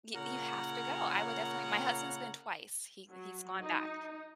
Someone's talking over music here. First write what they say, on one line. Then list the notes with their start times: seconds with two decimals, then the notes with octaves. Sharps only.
Y you have to go, I would definitely my husband's been twice, he he's gone back.
0.13 A#2 C#3 A#4 C#5 F#5
3.10 F#3
3.61 D#4